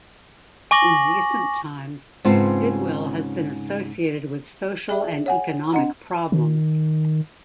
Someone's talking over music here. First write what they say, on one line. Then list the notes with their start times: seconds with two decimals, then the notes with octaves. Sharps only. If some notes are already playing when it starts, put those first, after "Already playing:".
In recent times, Bidwill has been associated with social and economic problems.
0.71 G#5 C#6 D6 A#6 F#7
2.25 G#2 C#3 B3 C4 F4 A5
4.89 G#4 D5 E5 G5
5.26 C#5 F#5 G#5
5.73 C4 D4 D#5 F#5 A#5
6.32 D#3